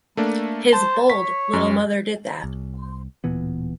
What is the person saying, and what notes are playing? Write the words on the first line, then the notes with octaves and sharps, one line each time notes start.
His bold little mother did that.
A3 A#3 D4
C5 A5
C#5 B6
F#2
C2
D1 A#2 E3 B3